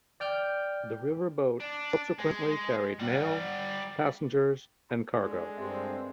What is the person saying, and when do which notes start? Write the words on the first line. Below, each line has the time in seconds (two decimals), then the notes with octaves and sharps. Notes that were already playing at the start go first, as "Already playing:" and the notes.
The river boat subsequently carried mail, passengers and cargo.
0.20 D5 G5 F6 G6
1.60 D4
2.19 G#3
3.00 G3 F#5
5.15 D3 G#3
5.57 G2 C4 G4 A#4 E5